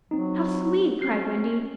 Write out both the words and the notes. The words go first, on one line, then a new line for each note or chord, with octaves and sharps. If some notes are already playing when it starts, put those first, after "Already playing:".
"How sweet!" cried Wendy.
F#3 C4 D#4
C4 C#4 C7